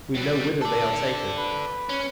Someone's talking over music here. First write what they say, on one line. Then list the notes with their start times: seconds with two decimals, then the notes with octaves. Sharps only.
We know whither they are taken!
0.15 F#3 G3
0.62 A4 D5 A5 E6
1.37 B4
1.89 C#4